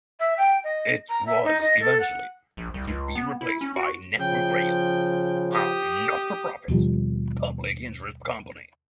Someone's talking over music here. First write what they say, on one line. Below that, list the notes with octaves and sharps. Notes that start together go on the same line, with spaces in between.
It was eventually to be replaced by Network Rail, a not-for-profit 'public interest company'.
E5
G5
D#5
A#5
E5
D#4
D#5
A4
F#5
A#1
C2
C#2
B3
E4
C#4
F#4
C#3 F3 G5
G4 D#6
D#2 B2 F3 G3